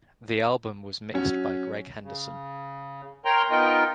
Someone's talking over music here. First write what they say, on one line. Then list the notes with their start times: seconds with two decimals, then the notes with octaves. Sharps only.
The album was mixed by Greg Henderson.
1.14 F#3 C#4
2.04 C#3
3.25 A#4 C#5 G5 A#5 C6
3.50 B3 D#4 F4 A#4 D#5 G5